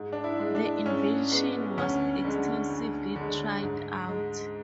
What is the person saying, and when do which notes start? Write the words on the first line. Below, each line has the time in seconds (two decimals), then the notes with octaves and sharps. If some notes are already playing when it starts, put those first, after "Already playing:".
The invention was extensively tried out.
Already playing: G#2
0.13 D4
0.24 E4
0.40 G#3
0.55 D4
0.85 G#2 C#4
1.31 G#3 B3
1.77 D2 C#4
2.24 D3 G#3
2.70 D2
3.16 D3
3.21 G#3
3.62 G#2
4.08 G#3